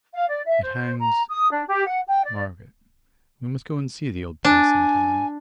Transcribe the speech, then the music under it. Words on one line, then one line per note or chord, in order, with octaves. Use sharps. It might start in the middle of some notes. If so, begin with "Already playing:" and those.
It hangs--Margaret, we must go and see the old place some time.
F5
D5
E5
C5
A#5
D#6
D4
G4
F#5
G5
D5
D4 G#5